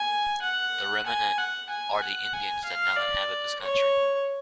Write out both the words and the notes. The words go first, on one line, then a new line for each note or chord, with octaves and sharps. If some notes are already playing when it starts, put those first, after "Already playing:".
The remnant are the Indians that now inhabit this country.
Already playing: G#5
F#5
G#5
F#5
G#5
F#5
G#5
F5
D5
C#5